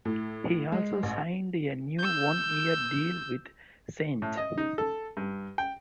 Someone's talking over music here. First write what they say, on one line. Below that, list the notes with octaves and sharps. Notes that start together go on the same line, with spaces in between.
He also signed a new one-year deal with Saints.
A2
G#3
A1
E6 G6
A2
D#5
D#4
A4
G2
G5